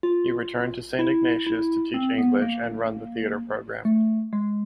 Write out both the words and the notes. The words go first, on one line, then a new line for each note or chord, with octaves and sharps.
He returned to Saint Ignatius to teach English and run the theatre program.
F4
E4
E4
C4
B3
A#3
A3
G#3